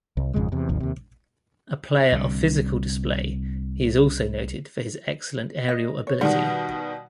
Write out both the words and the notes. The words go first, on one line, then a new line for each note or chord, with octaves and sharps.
A player of physical display, he is also noted for his excellent aerial ability.
C2
G#1 F2 C#3 G#3
E2 C3
G1 D2 C3 F3
D#2 C3
C2 D3
D#5
C#5
B2 D#3 G3 F#5